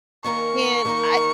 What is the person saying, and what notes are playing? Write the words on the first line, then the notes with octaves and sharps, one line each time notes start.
and I
D#3 A#3 C#4 A#4 C#6
D#3 A#3 D#4 A#4